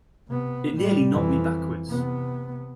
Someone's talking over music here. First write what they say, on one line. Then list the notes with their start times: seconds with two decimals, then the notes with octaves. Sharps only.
It nearly knocked me backwards.
0.28 C3 B3
0.77 A2 G3
1.10 F2 E3
1.88 C3 B3